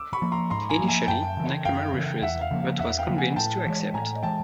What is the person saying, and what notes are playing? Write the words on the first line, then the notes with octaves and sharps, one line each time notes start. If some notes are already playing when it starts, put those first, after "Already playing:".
Initially, Nakamura refused, but was convinced to accept.
Already playing: D6 E6
B5 C#6
F3 A#3
A#5 C6
G#2 A#5 C6
G#5 A#5
F3 A#3
G#5 A#5
F#2 G5 A5
C#3 E3
F#2 F5 G5
C#3 E3
E2 E5 F#5
F5
C#3 F3 A#3
F5
E2 E5 F#5
F5 G5
C#3 F3 A#3
F#5 G#5
A2 G5 A5
E3 G#3
A2 G#5 A#5
E3 G#3 G5 A5